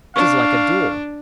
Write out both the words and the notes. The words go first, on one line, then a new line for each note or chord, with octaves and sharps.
'Tis like a duel.
D4 F5 C#6